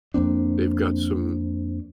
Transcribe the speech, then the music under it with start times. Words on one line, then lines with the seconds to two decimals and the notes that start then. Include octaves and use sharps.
they've got some
0.14 F2 A#3 C4 D4